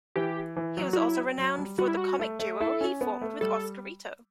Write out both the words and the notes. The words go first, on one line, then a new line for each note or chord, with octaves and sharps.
He was also renowned for the comic duo he formed with Oscarito.
E3 G4
E3
F#3
F#4
E4
F#3
G3
G3 F#4
E4
F#4
A3
A3
E4 A4
C#4
B3
A3
G3 A4